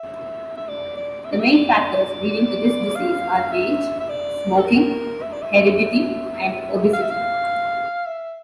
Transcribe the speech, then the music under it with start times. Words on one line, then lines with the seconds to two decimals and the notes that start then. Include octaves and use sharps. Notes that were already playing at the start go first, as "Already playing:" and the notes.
The main factors leading to this disease are age, smoking, heredity, and obesity.
Already playing: E5
0.57 E5
0.69 D5
0.97 D5
1.25 E5
1.33 D5
1.40 E5
1.54 D5
2.96 F5
3.52 E5
4.01 E5
4.09 D5
4.59 A4
4.65 A#4
5.22 E5
5.32 D5
5.42 E5
6.93 F5
7.02 E5
7.11 F5
8.07 E5